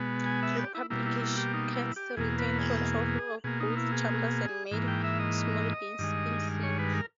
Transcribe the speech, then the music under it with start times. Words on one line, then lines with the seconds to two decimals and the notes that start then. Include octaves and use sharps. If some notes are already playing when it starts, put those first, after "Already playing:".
Republicans retained control of both chambers and made small gains in seats.
Already playing: B2 G#3 B3
0.26 G#5
0.43 E5
0.58 G4
0.75 E4
0.90 B2 G3 A#3 E4
1.06 E4
1.21 E4
1.38 G4
1.54 D#4
1.74 E4
1.96 G4
2.17 E2 B2 A#3 G#4
2.39 B4
2.59 G#4
3.44 B2 A#3 G#4
3.60 D#4
3.77 E4
3.92 G#4
4.71 G#2 E3 A#3
4.88 G5
5.04 E5
5.19 D#5
5.99 G2 D#3 G#3
6.63 C#5
6.79 B4
6.94 A#4